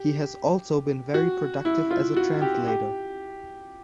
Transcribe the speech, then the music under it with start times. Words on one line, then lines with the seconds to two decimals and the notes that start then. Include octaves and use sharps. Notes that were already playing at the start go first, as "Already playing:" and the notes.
He has also been very productive as a translator.
Already playing: G4
1.14 F#4
1.65 E4
1.91 F4
2.17 F#4
2.42 G4
2.67 G4